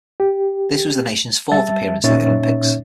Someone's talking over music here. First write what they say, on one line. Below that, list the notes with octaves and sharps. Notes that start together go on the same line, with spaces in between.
This was the nation's fourth appearance at the Olympics.
G4
G3 E5 A5 A6
A#2 C#4 D#4 C#5 E5 A6